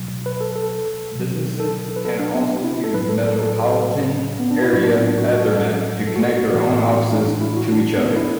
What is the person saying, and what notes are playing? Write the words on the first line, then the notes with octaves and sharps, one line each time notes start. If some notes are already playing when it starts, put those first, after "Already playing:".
Businesses can also use metropolitan-area Ethernet to connect their own offices to each other.
Already playing: B2 F#3
B4
A4
A4
B2 F#3
A4
B4
A4
D4
B3
D4
E4
A4
A2 F#3 B4
A4
A4
A4
B3
D4
E4
A2 F#3 F#4
D4
B3
D4
F#4
F#4
A4
A4
F#4
A4
F#4
A2 E3 F#4
F#4
D4
D4
E4
F#4
D4
D4
B3
D4
E4